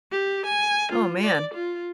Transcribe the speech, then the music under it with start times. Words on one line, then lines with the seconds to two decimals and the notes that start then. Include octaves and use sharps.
Oh, man.
0.12 G4
0.46 G#5
0.92 F4
1.24 D5
1.54 F4